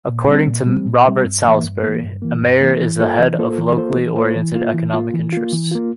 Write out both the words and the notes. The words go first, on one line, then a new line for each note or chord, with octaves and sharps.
According to Robert Salisbury, A mayor is the head of locally oriented economic interests.
A#2
G3 C4
A#2
G3 C4
A#2
G3 C4
G2
E3 A#3
G2
E3 A#3
G2
E3 A#3
G2
E3 A#3
E3
A#3 F4 A4 C5
E3
A#3 F4 A4 C5
E3
A#3 F4 A4 C5
E3
A#3 F4 A4 C5
E3
A#3 F4
E3
A#3 F4
E3
A#3 F4
E3
A#3 F4